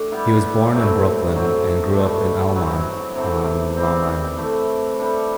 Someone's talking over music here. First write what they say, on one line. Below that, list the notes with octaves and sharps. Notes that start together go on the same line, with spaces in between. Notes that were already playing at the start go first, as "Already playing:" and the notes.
He was born in Brooklyn and grew up in Elmont on Long Island.
Already playing: A3 D4 G4
G3 B3 E4
F#3 A3 C4 E4
D3 F#3 C4
B2 A3 D4
F#3 C4 E4
C3 E3 A3 C4
G3 C4 G4
E3 A3 E4
G3 D4 A4